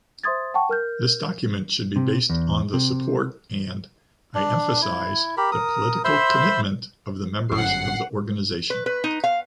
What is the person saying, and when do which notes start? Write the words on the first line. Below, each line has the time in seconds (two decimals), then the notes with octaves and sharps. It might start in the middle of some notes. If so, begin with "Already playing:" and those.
This document should be based on the support and, I emphasize, the political commitment of the members of the Organization.
0.24 C5 E5 C6 D#6 G#6 A6
0.54 F#5 G5 A5 C#6
0.69 A#4 F6 G6
1.96 C3
2.30 E2
2.73 C3
4.35 D4
4.82 E4
5.37 G4 A#4 B5
5.52 A#4 D#6
6.04 C5 E5 B5 C6
7.52 G1 F#2 F#5 C7
8.70 B4
8.86 B4
9.04 D#4
9.24 F5